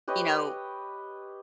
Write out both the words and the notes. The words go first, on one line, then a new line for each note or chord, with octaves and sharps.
you know
G4 B4 C#5 D#5